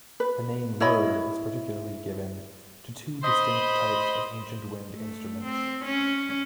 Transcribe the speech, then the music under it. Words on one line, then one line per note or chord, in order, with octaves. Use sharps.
The name lur is particularly given to two distinct types of ancient wind instruments.
B4
E4 C#5 D#5 B5
C5 D#5 B5
A3
C4
C#4